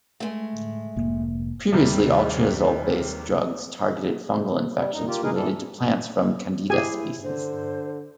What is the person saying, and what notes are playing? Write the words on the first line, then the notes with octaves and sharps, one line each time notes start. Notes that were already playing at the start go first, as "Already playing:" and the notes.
Previously, all triazole based drugs targeted fungal infections related to plants from "Candida" species.
G#3 A3
F1 G#2 A#3
D#2 C3 D#3 G3
G3
F#2 D#4
A#3 F4 G4
G#3 D#4 G#4 A#4 B4
A#2 E3 B3 D4 A4
E4 G4 G#4 G#5
D3 C5